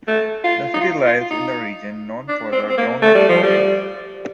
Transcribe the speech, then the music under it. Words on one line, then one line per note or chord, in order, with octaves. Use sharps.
The city lies in a region known for groundnut farming.
A3
F4
D#4
F4
F4
F4
D#4
D4
C4
C4
A#3
A3
G3
F3
G3